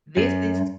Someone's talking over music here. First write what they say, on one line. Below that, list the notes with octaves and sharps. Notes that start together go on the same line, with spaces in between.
This is"
F#2